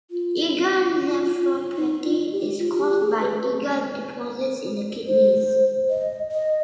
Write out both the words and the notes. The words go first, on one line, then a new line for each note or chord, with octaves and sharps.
IgA nephropathy is caused by IgA deposits in the kidneys.
F4
F4
D#4
F4
G4
F4
F4
G4
G#4
B4
C5
D#5
D#5